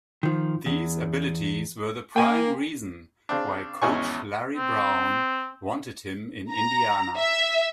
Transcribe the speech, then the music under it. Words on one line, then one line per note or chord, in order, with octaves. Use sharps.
These abilities were the prime reason why coach Larry Brown wanted him in Indiana.
D#3 F3
E2
A#3 G5 G#5
C#3 C4 D4
G#1 E2 C#4 G#5 C#6
C4
A#5
E5